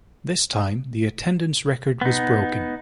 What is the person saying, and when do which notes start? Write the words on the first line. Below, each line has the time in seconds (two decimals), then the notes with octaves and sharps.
This time the attendance record was broken.
2.01 B3 D#4